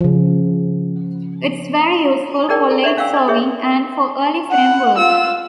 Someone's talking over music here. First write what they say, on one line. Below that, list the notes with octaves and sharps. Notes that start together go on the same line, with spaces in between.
It is very useful for late sowings and for early frame work.
C#3 F3
D#4 G#4 A#4 D5 G5
A4 A#5
D5 E5 F#5 C#6
C#4 F5 G5 E6
D5 D#5
G#4 C#5 E5
F#5
F4 E6